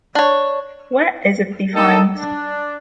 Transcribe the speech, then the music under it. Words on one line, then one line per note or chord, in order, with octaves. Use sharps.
Where is it defined?
D4 C#5
G3 A#3 D4 D#4 A4
D4